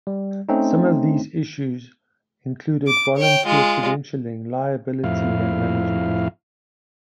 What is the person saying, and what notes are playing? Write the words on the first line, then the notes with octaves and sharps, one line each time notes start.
Some of these issues included volunteer credentialing, liability, and management.
G3
A3 C4 C#4 D#4
D6
C#5 G5
G#3 F4
F2 A2 E4 F5